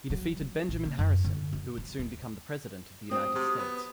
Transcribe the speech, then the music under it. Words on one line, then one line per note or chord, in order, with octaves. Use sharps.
He defeated Benjamin Harrison who would soon become the President of the United States.
F#3
F#3
A#1
A#3
F#2
D3
F#2
F#3
D#2
F#3 C4 D#6
C3
B3